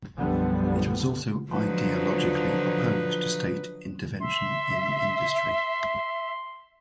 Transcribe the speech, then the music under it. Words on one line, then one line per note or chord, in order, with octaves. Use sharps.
It was also ideologically opposed to state intervention in industry.
B1 F#2 D3 F3 G3 B3
D3 F3 F#3 D#4 B4
E5 C6